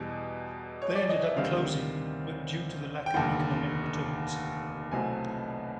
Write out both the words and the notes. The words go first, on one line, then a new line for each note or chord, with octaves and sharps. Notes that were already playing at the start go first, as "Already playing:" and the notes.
They ended up closing, but due to the lack of economic returns.
Already playing: E2 B2 G3
C#5
D5
D#5
E5
D2 C3 D#3 G3 F5
G5
F1 D#2 D3 F#5
C2 B2 F#3 A3 C4 G#5